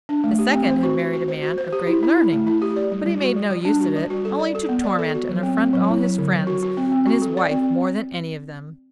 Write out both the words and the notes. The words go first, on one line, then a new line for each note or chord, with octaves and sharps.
The second had married a man of great learning; but he made no use of it, only to torment and affront all his friends, and his wife more than any of them.
D4
A3
G4
C4
C5
F#4
F#4
F#4
C5
F#4
C5
G4
E4
E4
E4
A3
E4
G4
D5
G3
G3
F#4
G3
G3
D4
F#4
G3
F#4
A4
D5
A4
B3
D5
A4
F#4
F#3
C4
C4
F#3
E4
F#3
D3
F#3
F#4
F#4
C4
C4
F#4
A4
D5
C4